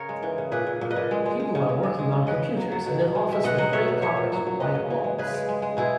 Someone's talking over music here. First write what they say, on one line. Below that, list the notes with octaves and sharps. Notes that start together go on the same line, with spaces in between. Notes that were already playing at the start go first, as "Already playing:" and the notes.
People are working on computers in an office with gray carpet and white walls.
Already playing: C#3 A#4 C#5
G#3
E3
C#3
A#2 G#4 B4
A#2
A#2
B4 D#5
A#2
G#3
G#3
G#3
C#3
C#3
G#3
G#3
C#3
C#3 B4 D#5
C#3
F#3
F#3
B2
B2
G#3
G#3 E5
B2 D#5 F#5
F#3 D#5 F#5
B2 C#5 E5
B2
F#3 C#5 E5
A#2
F#3
F#3
G#3 B4 D#5
C#3
E3
G#3
C#3 G#4 B4
G#3
G#3
G#3
B2 E4 G#4